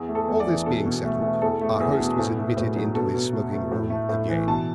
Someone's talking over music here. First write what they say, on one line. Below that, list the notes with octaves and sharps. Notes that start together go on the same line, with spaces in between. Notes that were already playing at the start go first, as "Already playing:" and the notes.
All this being settled, our host was admitted into his smoking-room again.
Already playing: E2
A3
A4
E2
D5
E3
B2 A4
B2
A3
A3
E2 A4
A3
E2
B2
A2
A3
A2
F#3
B2 A4
B2
A3
A3
A2
A3
A2
E3
B2 A5